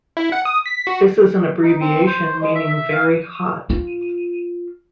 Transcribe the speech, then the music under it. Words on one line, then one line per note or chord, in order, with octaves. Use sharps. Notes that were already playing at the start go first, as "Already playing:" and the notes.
This is an abbreviation meaning 'very hot'.
E4
F#5
D#6
B6
F#4
D#4
C4
C5
G#3
E5
E5
F5
F4